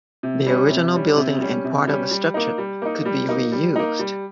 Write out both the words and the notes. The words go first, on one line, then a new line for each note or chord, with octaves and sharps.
The original building and part of the structure could be reused.
C3
G3 C#4
C3
G3 C#4
C3
G3 C#4
C3
G3 C#4
G3
A#3 D#4
G3
A#3 D#4
G3
A#3 D#4
G3
A#3 D#4
G3